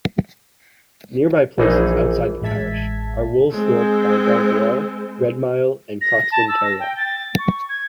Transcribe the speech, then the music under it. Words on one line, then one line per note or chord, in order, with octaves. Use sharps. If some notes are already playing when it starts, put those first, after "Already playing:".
Nearby places outside the parish are Woolsthorpe by Belvoir, Redmile, and Croxton Kerrial.
A#1 E3 D#4 G#4
A1 G#3 E5 A5 G#6 B6
G#3 C4
A#6
A5
E6
A#6
G5
A6
C#6
G#6